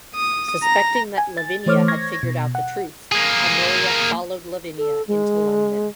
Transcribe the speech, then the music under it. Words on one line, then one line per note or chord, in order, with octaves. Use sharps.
Suspecting that Lavinia had figured out the truth, Honoria followed Lavinia into London.
D#6
A#5
G#5
A6
E3 A3 C5 C#5 D6 F6
C#6 G#6 A#6
B2
F#5
A#3 G#4
A4
G#3